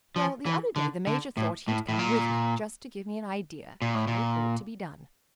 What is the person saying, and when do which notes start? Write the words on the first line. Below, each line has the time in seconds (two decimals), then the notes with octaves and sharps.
Well, the other day the Major thought he'd come with me, just to give me an idea how it ought to be done.
0.16 F3
0.46 E3
0.76 D3
1.07 D3
1.37 A2
1.68 A2
1.89 A2
1.99 A#2
3.82 A#2
3.95 A2
4.07 A#2